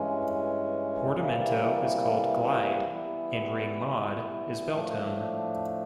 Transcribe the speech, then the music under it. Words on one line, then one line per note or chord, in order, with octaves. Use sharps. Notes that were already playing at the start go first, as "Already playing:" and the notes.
Portamento is called "Glide" and Ring Mod is "Bell Tone".
Already playing: G2 E3 G#3 C#4
C3 E3 G3 A#3
E3 G3 B3 E4
A2 F3 A3 D4